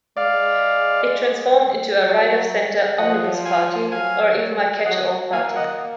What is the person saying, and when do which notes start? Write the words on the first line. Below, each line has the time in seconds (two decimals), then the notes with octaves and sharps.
It transformed into a right-of-centre "omnibus" party, or even a "catch-all party".
0.17 G#3 D5 F5
2.05 F#3
2.98 F3 D#5 F#5
3.45 F5 G#5
3.92 F#3 F5 G#5
4.86 F#3 D#5 F#5
5.33 A#3 F5 G#5
5.56 D#5 F#5